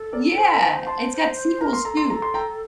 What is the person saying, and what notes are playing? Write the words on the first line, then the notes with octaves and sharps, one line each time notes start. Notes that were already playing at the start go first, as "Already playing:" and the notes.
Yeah, it's got sequels too.
Already playing: A4
A#4 D5
C5
C5 F5 A5
A5 C6
C5
A#4 A#5
C6
A4 A#5
C6
A4 A#5
C6
G5 A#5